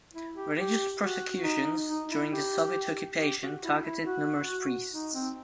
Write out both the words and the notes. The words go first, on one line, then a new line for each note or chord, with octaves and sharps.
Religious persecutions during the Soviet occupation targeted numerous priests.
E4
G4
G4
F#4
D#4
D#4
E4
G4
G4
F#4
E4
E4
F#4
D#4
C4